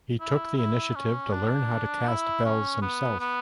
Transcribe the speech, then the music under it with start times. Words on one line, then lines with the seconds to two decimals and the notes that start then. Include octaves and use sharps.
He took the initiative to learn how to cast bells himself.
0.21 E4
0.58 E4
0.95 C#4
1.33 D4
2.07 E4
2.45 C#4
2.82 B3
3.20 B3